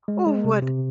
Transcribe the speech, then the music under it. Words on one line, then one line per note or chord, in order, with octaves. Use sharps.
Oh, what
G#3
G#3
C3
C3